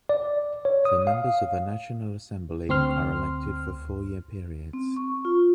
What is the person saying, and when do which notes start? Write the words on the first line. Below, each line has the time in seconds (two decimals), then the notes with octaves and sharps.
The members of the National Assembly are elected for four-year periods.
0.09 D5
0.65 C#5
0.85 D#6
1.07 F5
2.69 D2 C4 C6 F6
4.73 C4
4.97 C#6
5.25 F4